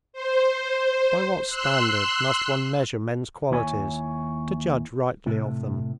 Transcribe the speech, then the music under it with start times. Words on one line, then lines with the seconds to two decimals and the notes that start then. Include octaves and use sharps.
By what standard must one measure men's qualities, to judge rightly of them?
0.13 C5
1.47 C6 E6 F#6
3.51 D#2 E4 C#5 G#5
5.26 A2 C3